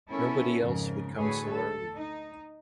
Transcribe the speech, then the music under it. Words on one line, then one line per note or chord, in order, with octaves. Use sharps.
Nobody else would come so early.
B3 C#4 E4 A4 A#4
F2 G#2 C#3 A#4
D2 A2 A3 G#4 B4 C#5
A4
D#4